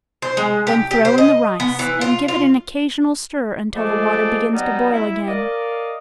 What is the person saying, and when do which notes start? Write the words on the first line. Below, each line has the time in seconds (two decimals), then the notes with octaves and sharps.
Then throw in the rice, and give it an occasional stir until the water begins to boil again.
0.22 C5
0.37 G#3
0.67 G4
0.91 G4
1.05 C5
1.18 D#5
1.60 B3
1.79 E3
2.01 F4
2.28 F4
3.75 F3 G#3 A3 D5
4.53 F#3 G3 B3 D#4
4.91 E4
5.28 A#4 D5 D#5 F5